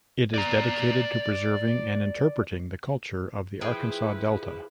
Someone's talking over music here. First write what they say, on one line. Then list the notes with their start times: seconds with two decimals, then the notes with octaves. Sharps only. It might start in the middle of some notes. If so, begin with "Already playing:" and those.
It is dedicated to preserving and interpreting the culture of the Arkansas Delta.
0.34 D5 A#5
3.61 F3 E4 G#4 B4 G5